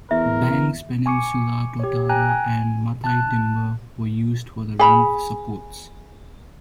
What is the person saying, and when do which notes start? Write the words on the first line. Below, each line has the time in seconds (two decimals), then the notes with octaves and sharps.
Banks Peninsula totara and matai timber were used for the roof supports.
0.11 E2 A#4 E5
1.06 G#5 C#6 D6 C#7
1.80 G4 C#5
2.09 G5 G#5 A#5 F#6
2.29 G#5
3.04 A5 F#6
4.79 G#4 B5